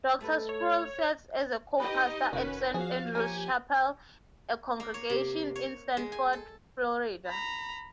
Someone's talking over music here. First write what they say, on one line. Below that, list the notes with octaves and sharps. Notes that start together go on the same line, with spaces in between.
Doctor Sproul serves as co-pastor at Saint Andrew's Chapel, a congregation in Sanford, Florida.
A3 A4 B4
C#5
D#4 G4 B4 D#5 G5
F1 D#3 C#4 F#4 B4
F3 F#4 G#4 F5
A#3 G4 C#5 G#5
A#3
C#5
C3
C#5
G#3
G#5
A4
A#5 B5